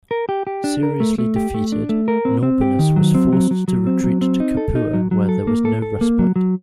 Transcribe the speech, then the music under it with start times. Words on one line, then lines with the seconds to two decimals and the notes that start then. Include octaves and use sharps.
Seriously defeated, Norbanus was forced to retreat to Capua where there was no respite.
0.11 A#4
0.29 G4
0.47 G4
0.64 D4
0.83 A#4
1.00 A3
1.18 A3
1.36 G4
1.54 A3
1.72 D4
1.89 A3
2.08 A#4
2.25 C4
2.43 C4
2.61 G4
2.79 D#3
2.96 F#3
3.14 C4
3.33 F#3
3.51 F#3
3.68 F#3
3.87 C4
4.04 F#3
4.21 C4
4.40 D#4
4.57 A4
4.75 D#4
4.94 F#3
5.11 F#3
5.29 A4
5.47 A#3
5.65 A4
5.82 A4
6.01 A#3
6.19 F#3
6.36 F#3